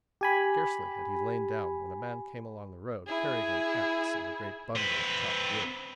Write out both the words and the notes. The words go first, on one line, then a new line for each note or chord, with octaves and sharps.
Scarcely had he lain down when a man came along the road, carrying an axe and a great bundle of chopped wood.
G4 G#5 B5
E4 G#4
C4 B4